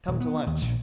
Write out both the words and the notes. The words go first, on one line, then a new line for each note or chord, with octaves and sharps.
"Come to lunch."
D#1
B3
D#2
A#1